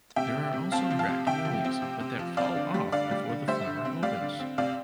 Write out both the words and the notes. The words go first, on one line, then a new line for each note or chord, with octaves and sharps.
There are also bracteoles but that fall off before the flower opens.
C3 E5 G5
C3
C3
C4 F5 A5
F3
F5 A5
C3
C3 E5 G5
F3
C4
C3
C3
F3
C4 D5 F5
D3
G3
D3 D5 F5
G3
D3
G3 C5 E5
D3
C4
G3 D5 F5
D3
C4
C3 D5 F5